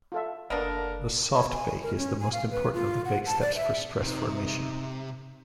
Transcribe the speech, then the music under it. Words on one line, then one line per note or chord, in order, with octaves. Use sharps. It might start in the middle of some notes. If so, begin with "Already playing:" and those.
The soft bake is the most important of the bake steps for stress formation.
F4 A4 E5
F#1 D3 A#3 B3 D4 A4 A#4 D#5
C#5
G#5
A#4
C#4
G#5
F5
B4
F4
F#5
A5
D5
E5
C3 D#4